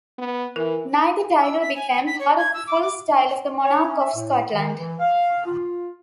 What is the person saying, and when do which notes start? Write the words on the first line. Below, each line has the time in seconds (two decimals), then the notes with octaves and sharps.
Neither title became part of the full style of the monarch of Scotland.
0.18 B3
0.56 E3 A#4
1.42 E6
1.62 B6
1.76 G#5
1.90 G#5
2.07 B6
2.20 C#5
2.38 G#6
2.54 E6
2.67 D6
2.82 D6
3.64 C#5
3.83 C#4
4.00 E5
4.15 A2
4.53 D#3
4.76 E3
4.99 F5
5.46 F4